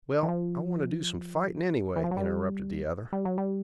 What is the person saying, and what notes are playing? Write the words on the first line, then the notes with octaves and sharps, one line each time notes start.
"Well, I wanta do some fighting anyway," interrupted the other.
E3
F3
E3
F3
F#3
G3
G3
F#3
G3